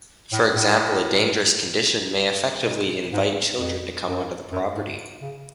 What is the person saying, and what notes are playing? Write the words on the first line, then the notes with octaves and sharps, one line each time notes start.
For example, a dangerous condition may effectively invite children to come onto the property.
A2
A2
B2
G#2
F2
F#2
F#2
G#2
C#3